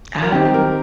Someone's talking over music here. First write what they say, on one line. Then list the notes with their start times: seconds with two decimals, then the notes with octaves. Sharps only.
I agree.
0.22 A#4
0.32 D#3 C4 D#4 G4
0.45 G4
0.54 A#4